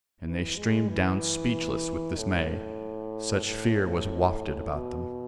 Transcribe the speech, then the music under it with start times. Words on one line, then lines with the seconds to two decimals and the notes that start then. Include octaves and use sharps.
And they streamed down speechless with dismay; such fear was wafted about them.
0.25 E3
0.57 G#3
0.89 E3
2.17 A2
3.45 A2
4.72 B2